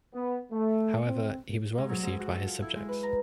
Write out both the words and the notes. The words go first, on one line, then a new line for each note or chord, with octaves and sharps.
However he was well received by his subjects.
B3
A3
C4
G#2
F#3
G#2
F#4
A4
F4
E4
G#3
B4
A#5